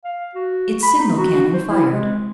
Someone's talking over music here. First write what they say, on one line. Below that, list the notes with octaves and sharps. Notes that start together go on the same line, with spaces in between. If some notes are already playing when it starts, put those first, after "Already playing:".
Its signal cannon fired.
F5
F#4
B5
D#4
F#4
C5
E4
G#3